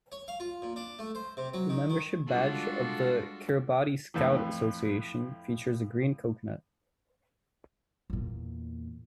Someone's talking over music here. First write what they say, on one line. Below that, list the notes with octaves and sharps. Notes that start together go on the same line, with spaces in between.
The membership badge of the Kiribati Scout Association features a green coconut.
C#5
F5
F4
A#2
D4
A3
C5
C3
F#3
D#3
D#3
G3 G#3 D4 F4 F#4 A4
F2 A2 E3
E2 A#2